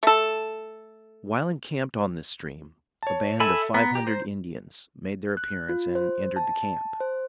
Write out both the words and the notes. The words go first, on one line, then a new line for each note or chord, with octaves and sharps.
While encamped on this stream, a band of five hundred Indians made their appearance and entered the camp.
A3 A4
C#5 A5
A4 E5 G#5 B5
B3 A#5
G4
C5
F#6
F4
C5
A5
C5